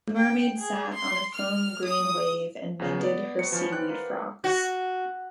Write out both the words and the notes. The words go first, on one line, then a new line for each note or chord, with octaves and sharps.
A mermaid sat on a foam-green wave and mended her seaweed frocks.
G5
G#4
C6
F6
D#6
E2 C#3
B3 D5
C3 B3 F#4 C#7
E3 F3 C#4
D5 G5 C6 F#6
A#4 B4 F5
F#4